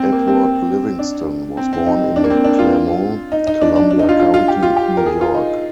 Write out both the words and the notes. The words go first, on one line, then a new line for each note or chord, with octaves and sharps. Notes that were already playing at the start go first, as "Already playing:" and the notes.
Edward Livingston was born in Clermont, Columbia County, New York.
Already playing: C4
A#3
C4
D4
C4
C4
D#4
D4
A#3
C4
D4
F4
D#4
D#4
D4
D4
D4
D#4
F4
F4
F4
G4
F4
G4
A#4
G#4
F4
D#4